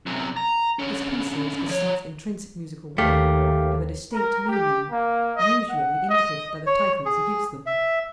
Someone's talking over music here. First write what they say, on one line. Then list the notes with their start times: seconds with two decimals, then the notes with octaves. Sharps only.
His pieces, besides intrinsic musical worth, have a distinct meaning, usually indicated by the titles he gives them.
0.06 F#2 C3
0.37 A#5
0.79 D3 C#4
1.69 F3 C#5
2.98 D#2 A3 G4 F5
4.12 A#4
4.48 G4
4.90 A#3
5.35 D#5
5.68 F#5
6.08 D#5
6.67 C#5
7.06 G#4
7.66 E5